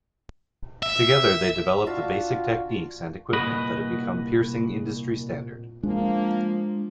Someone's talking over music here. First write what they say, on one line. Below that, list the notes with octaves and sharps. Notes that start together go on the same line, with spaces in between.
Together they developed the basic techniques and equipment that have become piercing industry standard.
E5
D4 F4 F#4 F5
C2 A#2 F#4 B4 D#5
F3 G#3 A#3 D4